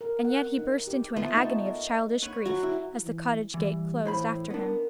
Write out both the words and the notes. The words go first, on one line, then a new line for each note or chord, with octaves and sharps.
And yet he burst into an agony of childish grief, as the cottage-gate closed after him.
A#4
F#5
D#4
G4
A3 B3 F4 C5
D#4 C#5 A5
A#4
B4 C#5 F#5
F#3 F#4
E4
E3
E3 G3
A2 E3 C5 B5
B3 D4 A#4